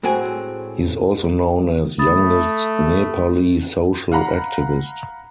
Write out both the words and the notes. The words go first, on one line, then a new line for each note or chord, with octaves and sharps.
He is also known as "Youngest Nepali Social Activist".
A2 G#3 C4 F#4 C#5 G#5
A3 B5 D#6 A6
F5 F#5 A#5 B5